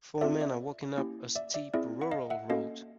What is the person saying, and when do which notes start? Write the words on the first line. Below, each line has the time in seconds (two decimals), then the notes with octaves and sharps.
Four men are walking up a steep rural road.
0.21 C4 F4 A4 D5 E5
0.41 D5 E5
0.98 A#3 C#4 E4 G4
1.36 D5 E5
1.54 D5 E5
1.74 C4 E4 G#4 D5 E5
2.01 F#5
2.11 D#5 F5
2.30 E5 F#5
2.50 A#3 C#4 F#4 A4 D#5 F5